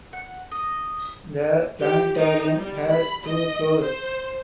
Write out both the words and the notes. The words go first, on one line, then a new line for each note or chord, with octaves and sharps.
The planetarium has two floors.
F#5
D#5
G4
D#4
G3
B5
D#5
C5